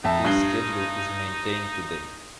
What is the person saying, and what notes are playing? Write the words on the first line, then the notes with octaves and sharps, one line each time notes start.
This schedule is maintained today.
F2 D#4 E5 A5
G2 F#6 C7 G7